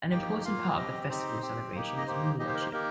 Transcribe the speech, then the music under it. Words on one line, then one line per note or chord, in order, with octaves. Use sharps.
An important part of the festival celebration is moon worship.
A#3 D#4 G4 G5
A#3 F4 F5
C4 G4 D#5
C4 D#4 G4 C5
C4 G4
A#3 D#4 G4
D#5
A#3 D#4 G4 C5
A#3 D#4 G4 D#5
C5
A#4
C5
A#3 D#4 G4 A#4